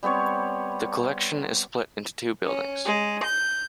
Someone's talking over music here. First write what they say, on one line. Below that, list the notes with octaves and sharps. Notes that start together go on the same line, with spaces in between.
The collection is split into two buildings.
G3 B3 C4 C#5
C#4
G#3
G6